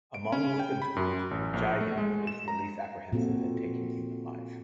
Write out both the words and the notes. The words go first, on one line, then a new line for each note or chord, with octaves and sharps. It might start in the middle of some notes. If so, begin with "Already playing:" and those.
Among Lupin's group, Jigen is the least apprehensive at taking human life.
D7
C#4
G5
B5
F#2
A1
A#1
A3
G#3
E7
A#5
A#2 C4 F#4 A4